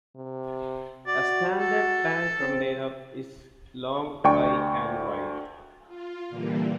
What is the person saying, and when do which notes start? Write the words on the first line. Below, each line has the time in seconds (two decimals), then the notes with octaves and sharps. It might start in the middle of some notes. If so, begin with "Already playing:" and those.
A standard tank container is long, high and wide.
0.16 C3
1.07 F#4 D5
1.60 A4
2.41 C4
4.24 D2 D5 G5 C#6
5.87 F4
6.29 A#2 D3 E3 G3 A#3